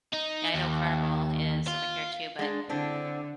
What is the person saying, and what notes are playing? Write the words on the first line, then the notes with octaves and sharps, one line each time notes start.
yeah, I know Carnival is over here too, but,
D#4
D#2
F4
G#3 D4
D3 C4 D4 E4